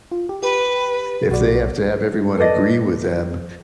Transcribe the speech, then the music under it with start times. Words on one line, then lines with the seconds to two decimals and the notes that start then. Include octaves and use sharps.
If they have to have everyone agree with them
0.12 F4
0.29 G4
0.43 G4 B4
1.29 B1 F#4 D5
2.37 A4 B4 D5 D#5